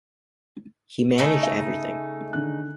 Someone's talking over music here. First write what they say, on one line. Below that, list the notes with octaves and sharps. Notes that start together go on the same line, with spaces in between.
He managed everything.
C#3 A3 D#4
D#5 E5 G#5
D3 D#3 F#6